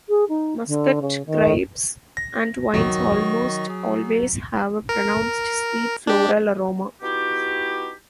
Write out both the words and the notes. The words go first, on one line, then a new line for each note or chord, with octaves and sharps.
Muscat grapes and wines almost always have a pronounced sweet floral aroma.
G#4
D#4
D3
C#3
D#3
A#6
D#3 F#3 D#5 C#6
G#4
A#4
D4 G4
B3 D#4 E4 F#4 G4